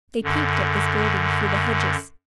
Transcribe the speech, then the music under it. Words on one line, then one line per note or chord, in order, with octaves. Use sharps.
They peeped at this building through the hedges.
F#2 D3